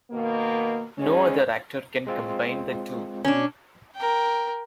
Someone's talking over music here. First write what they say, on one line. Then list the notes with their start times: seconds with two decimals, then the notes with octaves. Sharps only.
No other actor can combine the two.
0.11 B2 D#3 A#3
0.98 E2 G#3 C#4
2.07 G#3 C4 F4
3.25 B2 C#4 D4
3.96 A#4 G5